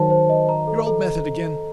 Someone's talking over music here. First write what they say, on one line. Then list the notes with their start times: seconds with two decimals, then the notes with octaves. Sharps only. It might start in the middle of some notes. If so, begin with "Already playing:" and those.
Your old method again.
Already playing: D#3 F#3 C5 A5
0.10 C5
0.29 D#5
0.49 A#5
0.67 A4
0.87 A4